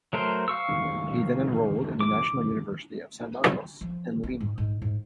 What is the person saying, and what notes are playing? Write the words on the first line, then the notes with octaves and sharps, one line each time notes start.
He then enrolled in the National University of San Marcos in Lima.
F#3 A3 A#4 C5
F5 C#6 E6
D6
F3
C4
G#2
G#2
G#2